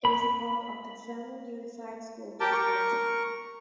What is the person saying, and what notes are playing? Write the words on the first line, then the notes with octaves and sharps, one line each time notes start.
It is a part of the Fremont Unified School District.
B5
G4 A#4 G5 A5
A#4 C#6